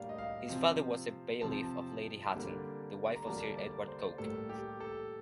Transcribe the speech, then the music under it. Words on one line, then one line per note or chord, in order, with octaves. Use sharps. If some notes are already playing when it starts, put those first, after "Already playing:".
His father was a bailiff of Lady Hatton, the wife of Sir Edward Coke.
Already playing: A2 G3 A#3 D4 F5
D#5
F5
C3 F3 C4
C3 F3 C4 A5
D3 G3 A#3 D4
A#5
D3 G3 A#3 D4 A5
D5
C5
A2 G3 A#3 A4
G4
A4